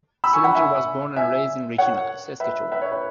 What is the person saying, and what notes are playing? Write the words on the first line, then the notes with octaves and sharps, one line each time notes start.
Sillinger was born and raised in Regina, Saskatchewan.
B5 E6
G#5 C#6
F#5 B5
E5 G#5
E5 G#5
C#5 F#5
B4 E5
B4 E5
C#5
B4